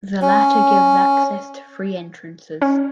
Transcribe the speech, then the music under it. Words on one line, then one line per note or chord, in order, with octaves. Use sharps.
The latter gives access to three entrances.
C#4
C#4